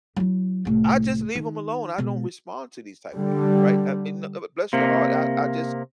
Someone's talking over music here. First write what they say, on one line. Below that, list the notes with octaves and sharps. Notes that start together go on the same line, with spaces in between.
I just leave 'em alone. I don't respond to these type people, right? I mean, "uh uh, bless your heart. I I just,
F#3 E4
C2 A2
D#3
B2 G#3
D3 G3
C3 A#3